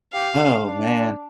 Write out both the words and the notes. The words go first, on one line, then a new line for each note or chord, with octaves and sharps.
Oh, man.
G4 F5
D4